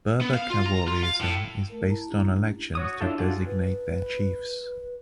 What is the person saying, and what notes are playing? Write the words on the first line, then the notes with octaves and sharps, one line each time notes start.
Berber Khawarijism is based on elections to designate their chiefs.
B3
F5
F4
A#5
F4
F5
A2
A3 A#4
E4 A5 A#5
A3 C#4 D4 E4 G4
F#4 C#5 D#6
D4 E4 F4 A4
D4 F4 F#4 G#4 A4
B4